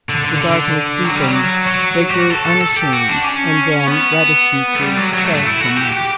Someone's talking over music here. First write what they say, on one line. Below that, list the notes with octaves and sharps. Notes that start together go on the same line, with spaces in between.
As the darkness deepened, they grew unashamed and then reticences fell from them.
D3
D3
D3
F#3
G3
F#3
F#3
G4
F#4
A4
A4
A4
G4
F#4
D4
C#4
B3
A3
G3
F#3
F#3
A3
A3
E4
F#4
G4
G4